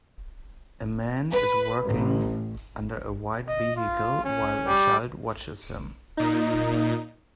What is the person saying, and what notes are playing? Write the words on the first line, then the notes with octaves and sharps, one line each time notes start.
A man is working under a white vehicle while a child watches him.
B4
A1
D#5
F4
C#4
G3
A#2 D#4